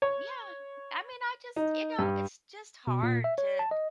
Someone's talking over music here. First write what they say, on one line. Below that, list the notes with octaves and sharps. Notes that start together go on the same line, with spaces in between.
Yeah! I mean, I just you know, it's just hard to
C#5
D#4
G2
B2
A#2
E5
C#5
A5
D#5